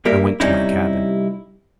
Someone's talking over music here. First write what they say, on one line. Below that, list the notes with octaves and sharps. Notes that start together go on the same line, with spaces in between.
I went to my cabin.
G2 G3 A#3 G4 A#4 E5
C3 G3 C#4 D#4 E4